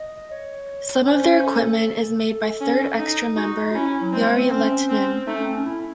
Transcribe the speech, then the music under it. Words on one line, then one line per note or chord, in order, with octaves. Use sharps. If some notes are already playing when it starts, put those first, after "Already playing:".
Some of their equipment is made by third "extra" member Jari Lehtinen.
Already playing: D#5
C#5
C#4 C5
C5
A4
A4
C#4
D#4
D#4 F#4
D#4
C#4 E4
F#3
G#3 C4
A3
C4
C4 C#4
C4
A3 D#4
C#4
C4
C#4
E4